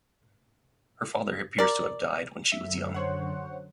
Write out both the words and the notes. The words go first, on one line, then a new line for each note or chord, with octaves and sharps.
Her father appears to have died when she was young.
A#4 D5
F#2 D3 F#3 E5
C5 C#5 F#5